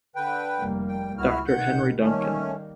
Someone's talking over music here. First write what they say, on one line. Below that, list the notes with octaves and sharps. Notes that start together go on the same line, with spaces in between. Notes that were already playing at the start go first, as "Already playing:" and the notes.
Doctor Henry Duncan.
D3 B4 G5
F1 G3 A#3
G5
C#2 E4 F#4 F6
B2 D#3 F#5 G6
D#3 G3 A3 A#3 C#4